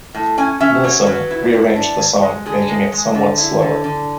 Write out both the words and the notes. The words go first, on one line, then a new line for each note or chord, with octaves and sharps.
Nilsson re-arranged the song making it somewhat slower.
A2
C#4 G#5
C#4 E5
F#3 C#5
F#3 B4
E4
E4
D4
D3
G#3
D3 G#4
G#3
G#3
D3
E4
D3
D3